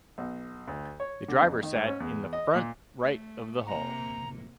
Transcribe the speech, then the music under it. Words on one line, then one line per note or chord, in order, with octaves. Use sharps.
The driver sat in the front right of the hull.
B1
D2
C#5
D3
F2
D#3
G#2
C#4
E2
D#5
A#2
A3
C3 A#3 A#5